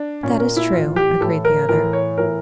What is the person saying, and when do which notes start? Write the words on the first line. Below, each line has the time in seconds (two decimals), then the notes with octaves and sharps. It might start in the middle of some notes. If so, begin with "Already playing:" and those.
"That is true," agreed the other.
Already playing: D4
0.23 A#2 C#4
0.40 A#4
0.56 E4
0.72 A2 E3 F4
0.96 G4
1.21 A2 E3 A4
1.45 A#4
1.69 A2 E3 A#4
1.93 C#5
2.18 A2 E3 A#4